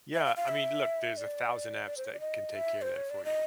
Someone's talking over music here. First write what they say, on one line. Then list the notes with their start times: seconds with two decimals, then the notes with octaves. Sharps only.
Yeah, I mean, look, there's a thousand apps that can take care of that for you.
0.14 E5
0.25 F5
0.37 F5
0.48 E5
1.17 D5
1.86 D5
1.97 C5
2.06 C#5
2.13 D5
2.20 D#5
2.55 E5
2.82 C5
2.96 C#5
3.10 D5
3.25 D#5